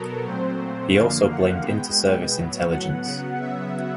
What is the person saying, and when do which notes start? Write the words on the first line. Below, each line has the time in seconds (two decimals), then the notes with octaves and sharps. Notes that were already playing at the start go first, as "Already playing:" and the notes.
He also blamed Inter Service Intelligence.
Already playing: B2 F#3 B3 A4 A#4
0.26 A#2 F#3 A3 C4 C5
0.95 F#2 D3 F3 A#3 F5
1.30 F#5
1.65 B2 G#3 B3 G5
2.35 A2 F#3 B3
2.71 F#5
3.04 C#3 F#3 B3 F#5
3.40 E5